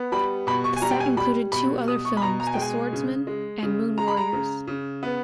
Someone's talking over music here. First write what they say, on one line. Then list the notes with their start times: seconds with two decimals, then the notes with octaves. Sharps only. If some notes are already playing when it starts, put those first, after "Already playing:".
The set included two other films: "The Swordsman" and "Moon Warriors".
Already playing: B3
0.12 G3 B5
0.47 B2 B5
0.64 C#6
0.76 G#5
0.82 G3 A#5
0.91 G5
1.00 G#5
1.17 G3 B5
1.52 B2 B5
1.88 B2 D#6
2.05 C#6
2.17 B5
2.22 B2 A#5
2.40 A#5
2.47 G#5
2.54 G5
2.57 G#3
2.62 G#5
2.93 C#3
3.27 G#3
3.63 C#3
3.98 G#3 A#5
4.08 B5
4.17 A#5
4.33 C#3
4.67 C#3
5.03 B3